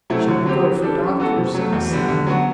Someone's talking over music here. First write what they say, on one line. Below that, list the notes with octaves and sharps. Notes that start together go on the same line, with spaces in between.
"Shall we go for doctors?" asked Sam.
C3 F#3 A3 E4
D3
F#3 C4 G4
E3
G3 D4 A4
F#2
E3 B3 F#4 A4
C3
F#3 A3
E2
D3 G3 B3
D3
F#3 B3 F#4